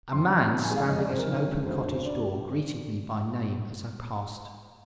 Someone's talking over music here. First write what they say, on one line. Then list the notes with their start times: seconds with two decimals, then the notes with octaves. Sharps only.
A man standing at an open cottage door greeted me by name as I passed.
0.12 F2 C6
0.31 F2
0.51 D#3
0.64 G#5
0.71 G#3
0.76 F5
0.89 F2 D#5
0.99 D5
1.08 F2 C5
1.17 A#4
1.28 D#3
1.47 G#3
1.65 D2 C5
1.79 C5
1.86 D2
1.92 C5
2.04 D3 D5
2.23 G3